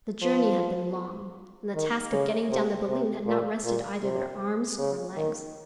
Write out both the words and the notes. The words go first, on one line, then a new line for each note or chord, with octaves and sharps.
The journey had been long, and the task of getting down the balloon had not rested either their arms or legs.
F3
D#3
C#3
C3
C3
A#2
A#2
C3
C#3
D#3